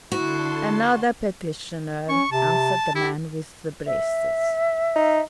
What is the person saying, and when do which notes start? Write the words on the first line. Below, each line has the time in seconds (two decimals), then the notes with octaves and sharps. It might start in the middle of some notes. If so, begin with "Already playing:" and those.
"Another petitioner," answered the man with the braces.
0.12 D3 E4 F#4 A5 C6
2.09 C#4 C#6
2.32 C3 A5
2.95 E4 G4
3.86 E5
4.95 D#4